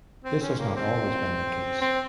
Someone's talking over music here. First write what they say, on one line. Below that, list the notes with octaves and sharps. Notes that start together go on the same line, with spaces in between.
This has not always been the case.
C4
C#4
A#3
C4
C4